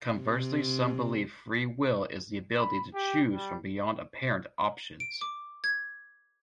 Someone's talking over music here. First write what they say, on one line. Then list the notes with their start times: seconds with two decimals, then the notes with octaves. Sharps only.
Conversely some believe free will is the ability to choose from beyond apparent options.
0.12 C3
2.58 B5
2.95 G4
3.31 G3
5.00 D7
5.21 D6
5.64 G#6